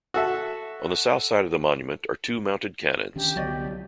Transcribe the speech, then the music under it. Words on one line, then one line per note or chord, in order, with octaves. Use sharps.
On the south side of the monument are two mounted cannons.
F#4 A4 E5
D#3 C#4 D4 G4
C2 D3 F#3 B3 F#4 D5 D#5